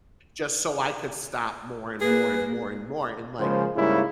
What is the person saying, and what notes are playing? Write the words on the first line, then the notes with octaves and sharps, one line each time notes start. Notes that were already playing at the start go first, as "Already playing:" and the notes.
just so I could stop more and more and more and more, and like,
A#3 G#4 B4
C#3 F3 G#3 A#3 C5
G#2 C#3 G3 A#3 E4